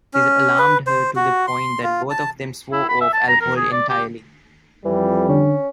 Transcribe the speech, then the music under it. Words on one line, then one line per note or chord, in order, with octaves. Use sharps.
This alarmed her to the point that both of them swore off alcohol entirely.
C#4
B4
C5
F#4
C6
F4
A5
E4
B5
E5
A5
A#5
A#4
G#4
D5
G4
F2 E3 G3
D3 C#4